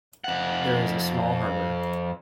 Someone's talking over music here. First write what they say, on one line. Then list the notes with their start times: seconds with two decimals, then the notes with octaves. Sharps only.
There is a small harbour.
0.24 F2 F#5